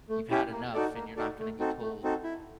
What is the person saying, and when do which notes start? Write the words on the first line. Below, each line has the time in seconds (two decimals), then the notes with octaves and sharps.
you've had enough and you're not gonna be told
0.09 A3
0.30 C#4 E4 G4
0.52 A#3
0.74 D#4 F#4 A4 D5
0.94 A#3
1.16 D#4 F#4 A4 D5
1.39 A3
1.59 C4 D#4 F#4 A4
1.81 A3
2.03 C4 D#4 F#4 A4
2.24 E4